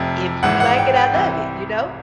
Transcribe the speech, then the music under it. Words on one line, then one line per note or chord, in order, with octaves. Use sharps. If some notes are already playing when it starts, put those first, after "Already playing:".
"if you like it, I love it." You know?
Already playing: F1 F2 C3
G#1 G#2 E3 F#5
F#5
G5
G5
C2 C3 E3